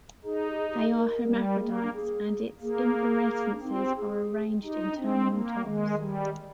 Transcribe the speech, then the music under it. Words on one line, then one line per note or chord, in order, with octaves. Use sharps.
They are hermaphrodites and its inflorescences are arranged in terminal tops.
D#4 G#4
G4
G#4
G4
G#4
A#4
G3
A#3 G#4
G4
D4
G#4
A#3 G#4
D4
C4 D#4
F4
G4
G#4
D#4 G4
F4
D4
C4
A#3
D#3 G#3
G3